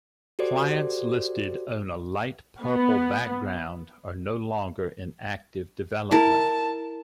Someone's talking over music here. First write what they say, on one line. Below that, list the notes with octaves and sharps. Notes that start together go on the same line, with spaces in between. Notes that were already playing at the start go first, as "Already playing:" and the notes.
Clients listed on a light purple background are no longer in active development.
F#4 G4 A4 C5 D5
B3
E4 A#4 A5